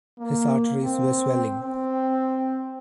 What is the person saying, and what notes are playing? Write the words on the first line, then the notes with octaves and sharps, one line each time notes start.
His arteries were swelling.
A#3
C4
C4